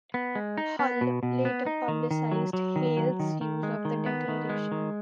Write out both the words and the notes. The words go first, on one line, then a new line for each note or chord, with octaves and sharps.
Hull later publicized Hale's use of the declaration.
B3
G#3
D#4
B3
B2
B2
B3
D#4
D#3
D#3
F#3
F#3
D#3
F#3
D#3
D#3
G#3
D#3
B3
D#3
G#3
D#3